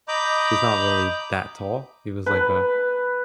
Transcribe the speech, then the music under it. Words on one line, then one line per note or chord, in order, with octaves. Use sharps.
he's not really that tall. He was like a
D#5 A#5 B5 D6 G6
B4